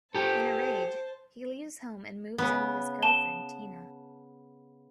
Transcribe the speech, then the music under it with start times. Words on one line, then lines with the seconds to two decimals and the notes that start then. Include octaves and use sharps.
In a rage, he leaves home and moves in with his girlfriend Tina.
0.15 G4 A4 C5 A5
2.38 C#3 B3
3.02 A5 E7 G7